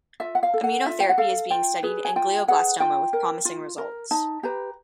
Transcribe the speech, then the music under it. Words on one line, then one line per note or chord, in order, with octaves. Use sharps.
Immunotherapy is being studied in glioblastoma with promising results.
F4 E5
F#5
F5
A4
F#5
F4 E5
G5
F#5
A4 F5
F4 G5
G#4 B4
G#5
F4 G5
G#4 B4 F#5
F4 G5
A#4
F4
A#4
D#4 A5
G4 B4 A#5